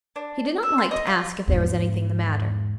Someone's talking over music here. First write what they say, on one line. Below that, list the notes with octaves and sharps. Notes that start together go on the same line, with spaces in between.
He did not like to ask if there was anything the matter.
D4
E5
C6
D#5
F4
E2 G#2